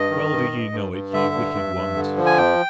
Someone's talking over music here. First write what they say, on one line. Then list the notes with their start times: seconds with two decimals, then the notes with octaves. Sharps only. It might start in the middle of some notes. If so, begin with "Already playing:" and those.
Well do ye know it, ye Wicked Ones.
Already playing: G2 D#5
0.10 D#3
0.31 G2
0.52 G2
0.72 G2
0.93 G2
1.13 D3 E5
1.34 G2
1.55 G2
1.76 G2
1.96 D3
2.17 F3
2.26 G#5
2.38 F2 G5